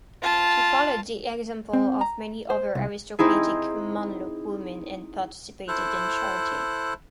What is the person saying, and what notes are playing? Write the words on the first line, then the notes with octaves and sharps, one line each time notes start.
She followed the example of many other aristocratic Mamluk women and participated in charity.
F4 A5
C4
A#5
C5
C2
C4 D#4 E4 G#4
E4 A4 C5 F#6